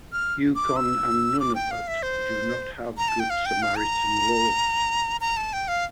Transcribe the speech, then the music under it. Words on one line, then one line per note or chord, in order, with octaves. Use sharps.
Yukon and Nunavut do not have good Samaritan laws.
F6
D6
E6
D6
G5
F5
E5
C5
A#5
A5
G5
F5
G5
F5
A#5
A#5
A5
G5
F5